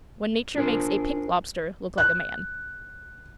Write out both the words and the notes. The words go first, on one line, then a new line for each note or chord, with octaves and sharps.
When Nature makes a pink lobster look like a man.
D4 F4 G#4 A#4 C5
F#6